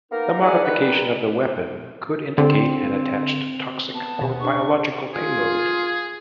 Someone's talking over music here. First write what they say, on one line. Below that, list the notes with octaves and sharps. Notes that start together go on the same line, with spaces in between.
The modification of the weapon could indicate an attached toxic or biological payload.
A#3 B3 D#4 A#4
D4 E4 G#4 D5 F#5 G#5
D#3 G3 D#4 G4 B4
D3 C4
B3 A5
D#2 B2
D4 C#6
F4 G#4